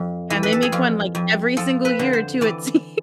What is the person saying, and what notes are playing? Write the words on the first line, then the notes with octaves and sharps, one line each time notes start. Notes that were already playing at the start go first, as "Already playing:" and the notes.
Yeah, and they make one like, every single year too it seems.
Already playing: F2
E3
B4
A4
G#4
F2 F4
F2
F3 A4
B4
D3
C5
E3 D5